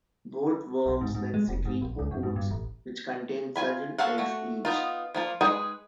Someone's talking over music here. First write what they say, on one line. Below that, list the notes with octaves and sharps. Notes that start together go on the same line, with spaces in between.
Both worms then secrete cocoons which contain several eggs each.
B1
G#2
G#2
G#3
F1
G#2
A#1
C#2
F#2
G#2
G2
A1
F4 G#5 B5
F#4 A4 F5 F#5
A3 F#4
B3 D#4 F4
F3 A#3 F4
G#3 D#4 G#4 B4 G5